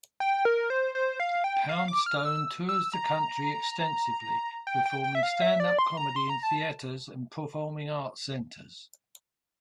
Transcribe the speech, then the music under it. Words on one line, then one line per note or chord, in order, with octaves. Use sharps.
Poundstone tours the country extensively, performing stand-up comedy in theaters and performing arts centers.
G5
A#4
C5
C5
F5
G5
F5
D6
F6
E6
E6
A#5
G5
G5
G5
E5
F5
E5
D5
C6
A#5
C6
A#5
A5